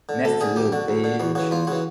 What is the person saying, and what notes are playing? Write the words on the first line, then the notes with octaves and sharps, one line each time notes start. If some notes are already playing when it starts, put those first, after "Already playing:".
Nasty Lil bitch!
D3
D2 A4
D3 G#4
D2 G4
D3 F#4
D2
D3
E2 F#4
C#3 E3 F#4
E2 F4
C#3 E3 F#4